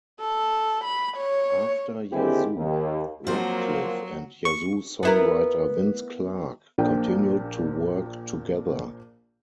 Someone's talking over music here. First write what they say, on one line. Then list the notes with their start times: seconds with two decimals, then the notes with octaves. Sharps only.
After Yazoo, Radcliffe and Yazoo-songwriter Vince Clarke continued to work together.
0.20 A4
0.85 B5
1.17 C#5
2.11 D#2 D3 C4 E4 G4 G#4
2.56 D#2
3.27 F3 F#3 A#3 C4 F4 F#4 C5
4.45 C#6
5.03 B3 E4 A#4
6.78 A#1 A#2 F3 D4 G5